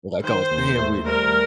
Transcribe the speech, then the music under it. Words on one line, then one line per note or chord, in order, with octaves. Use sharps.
Like I was saying with
D#3 C5
D#2
A3
G3 A#4